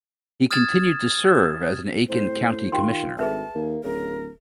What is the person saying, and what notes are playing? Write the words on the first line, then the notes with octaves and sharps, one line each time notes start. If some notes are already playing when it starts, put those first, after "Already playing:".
He continued to serve as an Aiken County commissioner.
D#6 F6 G#6 A6 E7
A2 C4 C5
D#3 F4 G4 G5 C6
G#1 D2 G#4 B4 E5 A5
D#2 A#3
D1 C#3 A#4